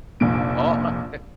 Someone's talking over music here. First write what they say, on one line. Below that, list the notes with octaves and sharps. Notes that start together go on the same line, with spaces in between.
Oh, okay.
F1 A#1 A#2 D7